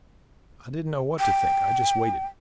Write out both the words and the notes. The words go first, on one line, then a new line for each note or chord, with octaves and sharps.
I didn't know what to think; I just waited.
G5